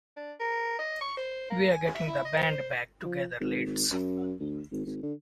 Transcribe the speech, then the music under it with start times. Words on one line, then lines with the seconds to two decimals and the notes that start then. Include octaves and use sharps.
We're getting the band back together lads!.
0.17 D4
0.40 A#4
0.79 D#5
1.01 C#6
1.17 C5
1.50 A#3
1.72 G#5
1.95 E5
2.07 E4
2.25 D#5
2.38 C5
3.05 F3
3.40 G#1
3.67 G#1
3.92 F#2
4.40 D2
4.72 G#1
4.86 G#1
5.03 D3